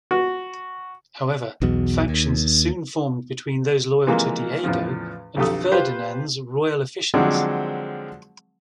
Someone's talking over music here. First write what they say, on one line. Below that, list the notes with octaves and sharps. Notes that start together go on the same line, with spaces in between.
However, factions soon formed between those loyal to Diego and Ferdinand's royal officials.
F#4
B1 E2 B2
D#2
C3 E3 F3 G#3 A#3
E2 A2 C#3 F3
B1 F2 D3 G4 A4 D#6
F4 G4 B4 C5 G5
D3 F3 F#3 G#3 C4 D4